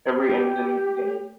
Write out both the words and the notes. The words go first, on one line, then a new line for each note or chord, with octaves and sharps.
Every end is a new beginning.
G4